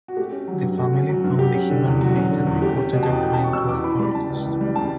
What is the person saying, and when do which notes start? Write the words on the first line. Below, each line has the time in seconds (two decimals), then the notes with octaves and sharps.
The family found the human remains and reported their find to authorities.
0.08 F#4
0.17 A3 G4
0.32 C#4
0.48 F#3
0.63 G2
0.78 A3 F#4
0.93 C#4
1.09 F#3
1.24 G2
1.39 F#3 G4
1.55 C#4
1.70 D3
1.85 E2
2.01 F#3 F#4
2.16 C#4
2.31 D3
2.47 E2
2.61 A3 G4
2.77 C#4
2.93 B2
3.03 A5
3.08 E2
3.13 G5
3.23 A3 G5
3.33 A5
3.38 C#4
3.44 C#6
3.53 B2 E6
3.69 E2 D6
3.84 E3 B5
3.99 G3 B5
4.15 C#3 A5
4.30 C#2
4.46 E3
4.61 G3
4.75 C#3 A5